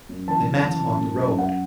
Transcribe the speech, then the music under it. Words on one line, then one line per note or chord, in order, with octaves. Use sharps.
They met on the road.
F#2
E3 A5
F#2
E3
F#2
F#2
F#2
F#2 F#5